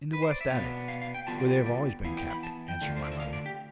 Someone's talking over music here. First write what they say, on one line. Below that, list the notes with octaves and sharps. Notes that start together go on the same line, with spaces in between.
"In the west attic, where they have always been kept," answered my mother.
B4
C5
D5
E5
B2 B3 D4 F5
F5
F5
G5
D3 G3 B3 F4 A5
G5
D5
D5
E3 B3 E4 F5
G5
B5
A5
G5
D3 A3 D4 F4
C5
D5
E5
F5
D5
G4